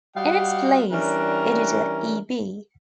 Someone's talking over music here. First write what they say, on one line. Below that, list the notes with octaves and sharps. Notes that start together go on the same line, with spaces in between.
In its place, editor E. B.
G3 F#4 D#5 F5 F#5
E3 G3 C#4 D4 A#4